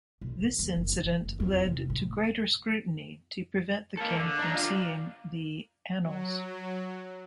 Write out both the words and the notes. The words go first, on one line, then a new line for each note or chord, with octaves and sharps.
This incident led to greater scrutiny to prevent the king from seeing the "Annals".
B1
A#1
D#2
F#1
F#2
E3
F#1
F2
F1
A2
A#3 A4
D3
D4 A#5
D4 F4
F#3